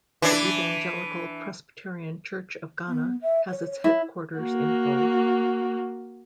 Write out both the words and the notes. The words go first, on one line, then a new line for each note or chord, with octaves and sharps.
The Evangelical Presbyterian Church of Ghana has its headquarters in Ho.
E3 D4
B3
E5
C#5
C#5
E4
A#3 F#4